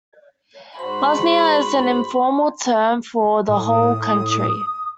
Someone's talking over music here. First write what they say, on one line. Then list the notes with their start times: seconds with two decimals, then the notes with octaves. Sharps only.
"Bosnia" is an informal term for the whole country.
0.79 G#2 F#4 C5 B5 C6
3.49 A2 D#6